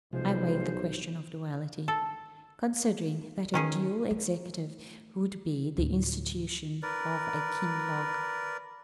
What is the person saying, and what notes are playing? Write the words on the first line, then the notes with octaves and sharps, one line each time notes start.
I waive the question of duality, considering that a dual Executive would be the institution of a King Log.
B1 C3 F3 G#3 C5
A4
D#3 C#4 G#4
A3
D2 A2
A#4 B4 D5